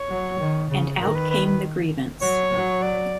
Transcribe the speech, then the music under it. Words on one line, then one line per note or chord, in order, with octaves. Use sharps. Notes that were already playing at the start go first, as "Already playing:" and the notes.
And out came the grievance.
Already playing: C#5
F#3
D#3
C#3
D#3 A#4
B4
B4
B4
F#3 C#5
F#3
D5